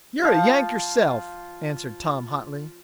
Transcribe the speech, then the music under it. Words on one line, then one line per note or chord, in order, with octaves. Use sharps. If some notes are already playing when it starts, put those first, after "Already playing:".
"You're a Yank yourself," answered Tom hotly.
F3 F4 C5